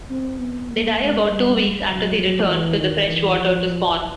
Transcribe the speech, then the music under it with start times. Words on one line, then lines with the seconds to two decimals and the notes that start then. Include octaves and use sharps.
They die about two weeks after they return to the freshwater to spawn.
0.10 C4
0.40 B3
0.69 A#3
1.00 G#3
1.29 G3
1.89 F#3
2.18 F#3
2.48 E3
2.77 D#3
3.07 E3
3.37 F3